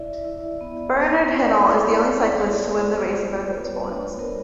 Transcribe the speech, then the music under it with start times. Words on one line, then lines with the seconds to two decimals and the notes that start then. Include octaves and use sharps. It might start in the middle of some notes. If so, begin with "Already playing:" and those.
Bernard Hinault is the only cyclist to win the race in both its forms.
Already playing: E4 D5 E5
0.24 E4
0.61 B3
0.96 B3
1.33 E4 D#5
1.39 D5
1.46 C#5 D#5
1.69 E4
2.04 B3 C5 D5
2.40 B3
2.76 B3 C5 D5
3.11 F4
3.47 G3 B4 C#5
3.84 D4
4.19 B3 A#4 C5